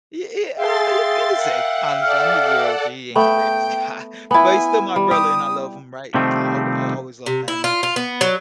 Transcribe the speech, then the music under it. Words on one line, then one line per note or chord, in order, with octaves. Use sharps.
Y y ah, you you can say. Honestly, Imma be real with you, he ain't the greatest guy. But he's still my brother, and I love him, right? I'll al I'll always love family.
G#4 E5 F5 G5 C6 A6
A#4 F#5
A4 D5 F#5 F6
A3 B3 G5
B3 E4 G#5
G3
G4 D#6
C3 D#3 F3 G3 A3 C4
C3
E4
F4
F4
B3
F#3